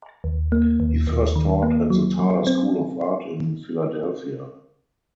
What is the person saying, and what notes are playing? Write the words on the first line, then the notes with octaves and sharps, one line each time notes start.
He first taught at the Tyler School of Art in Philadelphia.
D#2
A#3
D#2
D#2
D#3
A#3
F#3
F#3
C4